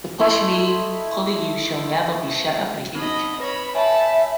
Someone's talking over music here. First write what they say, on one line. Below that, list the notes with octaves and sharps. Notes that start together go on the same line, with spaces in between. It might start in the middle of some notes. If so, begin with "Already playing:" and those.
The pushmi-pullyu shall never be shut up in a cage.
A3 E4 C5 D#5
C4 D#4 D#5 B5
B4 C#5 B5 A#6
C#5 E5 G#5 A5 B5